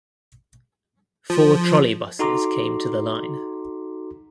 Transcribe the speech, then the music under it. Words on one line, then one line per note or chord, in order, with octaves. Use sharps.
Four trolleybuses came to the line.
F3
D#4 F#4 A4 A#5 C6 D6